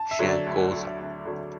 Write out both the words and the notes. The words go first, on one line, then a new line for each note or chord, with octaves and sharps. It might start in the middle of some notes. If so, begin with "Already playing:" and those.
Chen Guozhan.
Already playing: A5
E5
D3 F#3
D5
D2
D3 F#3
D2
D3 F#3